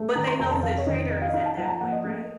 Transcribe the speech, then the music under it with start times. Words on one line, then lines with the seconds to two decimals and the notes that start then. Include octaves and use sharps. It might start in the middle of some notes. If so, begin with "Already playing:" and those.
But they know who the traitor is at that point, right?
Already playing: A3
0.15 D#3 A#5
0.27 C6
0.40 F1 A#5
0.51 A5
0.63 F1 F5
0.78 C#5
0.86 D#3 D#5
1.10 D#4 D#5
1.22 F5
1.29 D#5
1.34 D#4 F5
1.46 A5
1.57 F3 F#5
1.65 A#5
1.69 A5
1.80 A#3 F#5
1.92 D#5
2.05 A3